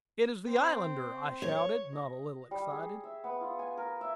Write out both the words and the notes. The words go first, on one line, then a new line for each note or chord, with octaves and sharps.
"It is the Islander!" I shouted, not a little excited.
C4
C#5
D#5
G3
G#4
E5
B3
F4
G#5
A#4
E5